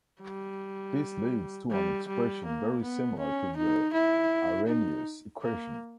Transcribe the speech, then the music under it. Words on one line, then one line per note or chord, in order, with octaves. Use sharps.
This leads to an expression very similar to the Arrhenius equation.
G3
G3
G3
A#3
B3
C#4
D#4
E4
D#4
A#3